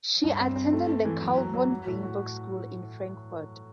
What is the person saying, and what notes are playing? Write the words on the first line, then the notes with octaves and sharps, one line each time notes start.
She attended the Carl von Weinberg School in Frankfurt.
G2
C4
C4
A3
A3
E3
F#3
F#3
F#3
F#4
A2
F#4